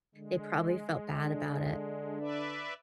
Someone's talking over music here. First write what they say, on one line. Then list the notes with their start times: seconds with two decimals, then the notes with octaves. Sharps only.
they probably felt bad about it.
0.15 D3 G#3
1.23 D3 D4
2.19 B4 D5 E5